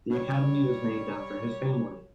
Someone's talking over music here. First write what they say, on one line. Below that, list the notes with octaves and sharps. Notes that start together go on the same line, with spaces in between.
The Academy was named after his family.
G3 C#5